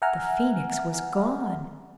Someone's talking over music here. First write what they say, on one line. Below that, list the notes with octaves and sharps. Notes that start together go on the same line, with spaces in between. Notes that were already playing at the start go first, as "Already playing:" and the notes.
The Phoenix was gone.
E5 F#5 G#5 A#5 F6